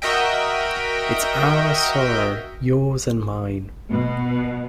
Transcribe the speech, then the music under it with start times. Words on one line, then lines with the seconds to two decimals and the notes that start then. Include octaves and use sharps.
It’s our sorrow — yours and mine.
0.02 F#4 A#4 D#5 E5 G5
3.89 B2